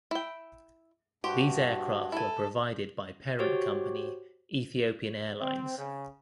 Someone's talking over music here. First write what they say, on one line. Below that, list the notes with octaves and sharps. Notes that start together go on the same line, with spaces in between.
These aircraft were provided by parent company Ethiopian Airlines.
E4 G5
G2 F#4 G4 C5
E4 A4 G#5
F#4 G4 C5 C#5
C4
C#3